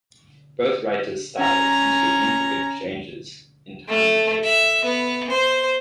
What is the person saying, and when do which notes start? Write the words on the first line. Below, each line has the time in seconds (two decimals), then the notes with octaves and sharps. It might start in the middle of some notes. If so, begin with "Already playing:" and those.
Both writers' styles include intricate changes in time and narration.
1.37 C#4 A#5
3.89 A3
4.44 E5
4.84 B3
5.30 C5